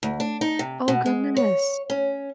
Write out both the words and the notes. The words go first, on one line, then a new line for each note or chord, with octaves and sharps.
Oh, goodness.
D2
D4
D#4
C3
B2
G#3
C#5
C#4